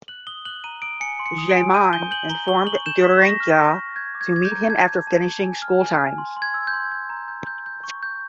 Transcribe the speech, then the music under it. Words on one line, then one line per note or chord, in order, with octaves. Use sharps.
Jayamanne informed Deraniyagala to meet him after finishing school times.
F#6 F#7
D#6 G7
F#6 F#7
A#5 D#7
D#6 D7
G#5 C#7
C6
C#7
D#6
D7
G#5
G6 D#7
G6 G7
G6 F#7
A#5 G7
C#6 G7
C#6 F#7
G6 E7
C#6 B6
C#6 A#6
F6
C#6
C#6
G6 G#6
D6
G#6
D6 G#6
G6
A#5
A5 G#6
G6
A5
A5
G#5
F6
G#5
G#5
C6
C6
G#6
E6
G6
C6
G6
A#5
G6
G6
G6
C#6
G6